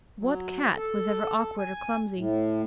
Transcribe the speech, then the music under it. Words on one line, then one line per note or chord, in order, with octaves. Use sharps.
What Cat was ever awkward or clumsy?
F#3
A4
G#5
A2